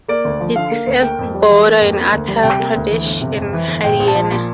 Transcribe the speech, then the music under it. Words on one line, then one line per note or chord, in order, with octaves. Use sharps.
It is at Border of Uttar Pradesh and Haryana.
A#3 D5
D2
F3
D3 F5
A#3
D2
A#3 G5
F2
G3
E3
A#3
F2
A#3
D2
G3
C3 G5
A#3
D2
E3
G1
C3
F2
E3
G1
A#1 G5
A#1
A5
F3
A#2